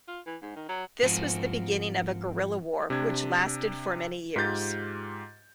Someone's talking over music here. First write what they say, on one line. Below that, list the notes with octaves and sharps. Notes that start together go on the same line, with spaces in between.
This was the beginning of a guerrilla war which lasted for many years.
F4
E3
G#2
D#3
F#3
G#2 F3 C4 F#4 G#5
C3 D4 G#6
G#2 F4 G4 G6 A6